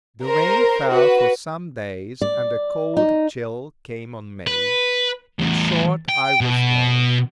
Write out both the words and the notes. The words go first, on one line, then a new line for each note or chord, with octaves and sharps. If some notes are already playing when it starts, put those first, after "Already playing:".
The rain fell for some days and a cold chill came on me; in short I was ill.
A#4 C5
F#4 B4
D5
D#4
B4
E2 A2
G5
B2